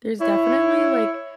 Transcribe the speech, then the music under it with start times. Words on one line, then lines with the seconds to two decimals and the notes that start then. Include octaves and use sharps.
There's definitely, like,
0.21 E4 C#5